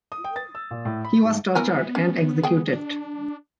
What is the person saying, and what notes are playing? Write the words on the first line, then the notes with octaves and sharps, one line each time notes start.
He was tortured and executed.
D#6
G5
A6
E6
A#2
A2
B5
G#2
E3 B3 A#4 G#5
C#4
G#4 G5
D4